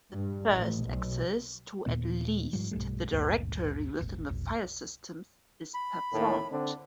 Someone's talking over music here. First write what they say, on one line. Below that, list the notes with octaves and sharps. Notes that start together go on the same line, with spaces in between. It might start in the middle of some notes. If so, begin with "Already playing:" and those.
The first access to at least the directory within the filesystem is performed.
G2
A1
B1
D#2 A#2 B3
G#2 F3 G3
B1 G2 G3 A3
G#1 D2 G2 A#2
E1 A1
F1 B1 F2
B5
D#2 A2
D3 C4 D4